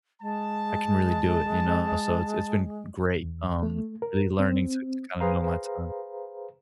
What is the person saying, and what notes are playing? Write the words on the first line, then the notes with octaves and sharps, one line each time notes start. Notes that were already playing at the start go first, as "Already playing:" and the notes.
I can really do it, you know? So it's it's been great, um, really learning to to kinda know my time.
G#3 A5
E2
A3
A#4
C4
G#4 B4 C5 F5 A#5